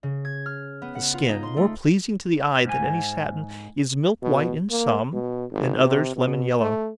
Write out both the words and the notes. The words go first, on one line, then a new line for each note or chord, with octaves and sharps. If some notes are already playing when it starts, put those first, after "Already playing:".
The skin, more pleasing to the eye than any satin, is milk-white in some, in others lemon-yellow.
C#3
G#6
F6
B3
F#5
F4
D#4
C6
A3
G#2 G#5
B2
A#3
B2
G#1
C3
B2
A3